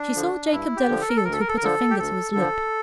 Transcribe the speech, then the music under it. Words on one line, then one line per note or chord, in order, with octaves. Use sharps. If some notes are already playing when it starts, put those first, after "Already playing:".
She saw Jacob Delafield, who put his finger to his lip.
Already playing: D4
D3 F3
G2 E4
G4
D3 F3
A4
A#4
A4
D2 A#4
A4
A#4
A4
A#4
D3 F3 A4
G4
D2 A4
D3 F3